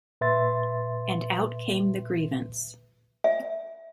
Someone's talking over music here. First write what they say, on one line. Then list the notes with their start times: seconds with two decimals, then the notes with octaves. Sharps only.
And out came the grievance.
0.21 A#2 B4 E5 C6 A6
3.24 E5